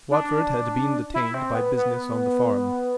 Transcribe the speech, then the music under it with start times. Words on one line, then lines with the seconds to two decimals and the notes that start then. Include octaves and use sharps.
Watford had been detained by business on the farm.
0.11 D4
1.14 E4
1.34 C4
1.55 B3
1.76 B3